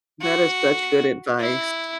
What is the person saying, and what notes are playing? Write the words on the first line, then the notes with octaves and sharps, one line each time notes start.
That is such good advice.
F#4
E4